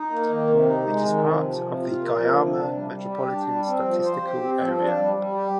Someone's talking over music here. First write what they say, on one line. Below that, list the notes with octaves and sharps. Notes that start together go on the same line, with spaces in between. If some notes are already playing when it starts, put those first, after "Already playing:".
It is part of the Guayama Metropolitan Statistical Area.
Already playing: D#4
A#3
D#3
C3
D#4
G#3
D#3
C3
F3
C3
F4
A#3
F3
C3
D4
G3
G3
G4
D4
G3
C4
F3
C5
G4
C4
F3
D4
G3
G3
G4